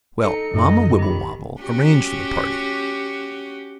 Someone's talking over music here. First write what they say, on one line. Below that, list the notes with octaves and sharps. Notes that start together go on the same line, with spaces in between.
Well, Mamma Wibblewobble arranged for the party.
D#4 A4 C#7
F#2 D#4 D#5
D#3 G4 B5
C#4 F#4 G4